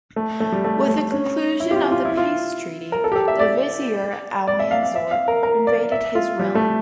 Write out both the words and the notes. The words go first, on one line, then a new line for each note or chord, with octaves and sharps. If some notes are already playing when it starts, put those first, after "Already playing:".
With the conclusion of the peace treaty, the vizier Almanzor invaded his realm.
A3
A3
G3
A3
A3
C#4
E4
G4
F4
F4
E4
F4
A#4
A4
G4
A4
E5
D5
D5
E5
F5
F5
E5
F5
A#4
A#4
D5
E5
F4
G3
A3